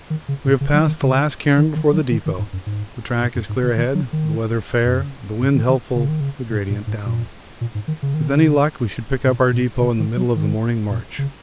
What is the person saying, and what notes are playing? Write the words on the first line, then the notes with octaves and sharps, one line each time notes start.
We have passed the last cairn before the depot, the track is clear ahead, the weather fair, the wind helpful, the gradient down--with any luck we should pick up our depot in the middle of the morning march.
D#3
C#3
A#2
C#3
F#3
D#3
C#3
D#3
D#3
F#3
D#3
D#3
G#2
F#2
G#2
G#2
F#2
G#2
C#3
D#3
F#3
D#3
F#2
G#2
D#3
D#3
C#3
D#3
C#3
A#2
A#2
G#2
A#2
A#2
G#2
D#3
C#3
D#3
C#3
A#2
A#2
C#3
D#3
F#3
D#3
A#2
C#3